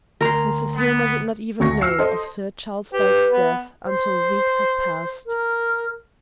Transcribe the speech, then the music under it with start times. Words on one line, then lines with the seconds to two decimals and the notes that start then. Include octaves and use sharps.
Mrs. Hillmer did not even know of Sir Charles Dyke's death until weeks had passed.
0.21 D2 A#4 A#5 C6
0.75 B3
1.60 D2 C#6 A#6
1.81 E6 F6 C7 C#7
1.99 A4 C5 D#5
2.94 G4 B4
3.32 B3
3.84 C5
5.26 A#4